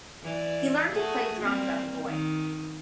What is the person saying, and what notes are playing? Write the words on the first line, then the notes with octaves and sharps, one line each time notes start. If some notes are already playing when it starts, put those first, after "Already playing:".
He learned to play drums as a boy.
E3 D5
A3 F#4 G#4
G3 A#3 C4
D#3